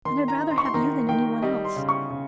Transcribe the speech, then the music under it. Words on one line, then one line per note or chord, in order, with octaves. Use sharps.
And I'd rather have you than any one else.
D#3 C6
A#5
D#4
C6
C#6
C6
D#3 A#5
D#3 G5
G3 D#5
C6
C#3
C#6
C#3